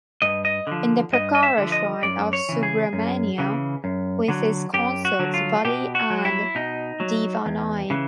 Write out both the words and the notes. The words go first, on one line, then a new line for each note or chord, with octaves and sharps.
In the prakara shrine of Subramania with his consorts Valli and Deivanai.
G2 D#5
D#5
D3 F3
G2 D#5
D#5
E5
D3 F3
D#5
F#2 D5
C#5
C#3 E3
G#4
F#2
C#3 E3
F#2
D3 F#3
F#2 G4
F#4
D3 F#3
F4
B2 G4
F#4
F#3
E4
B2 D#4
F#3
E2
C#3 E3